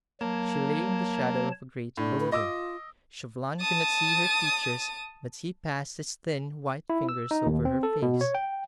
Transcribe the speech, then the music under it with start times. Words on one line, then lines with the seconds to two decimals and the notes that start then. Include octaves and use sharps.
She lay in the shadow of a great boulder; Chauvelin could not see her features, but he passed his thin, white fingers over her face.
0.21 F#3 A#3 C#5 A5
1.97 A2 D4
2.20 B4
2.32 F4 D#5 D6 E6
3.61 A5 D#6
6.90 E4
7.09 E6
7.31 D#4
7.46 D#2
7.65 C4
7.83 A4
8.02 B2
8.21 C#5
8.35 G5